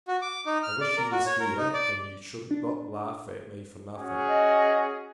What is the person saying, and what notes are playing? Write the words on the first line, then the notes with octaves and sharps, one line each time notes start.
I wish you was here, and you should not laugh at me for nothing.
F#4
D6
D#4
F6
D5
A#4
F#4
C#5
A#4
D#4
D5
D4
C#4 F#4 G#4
D#5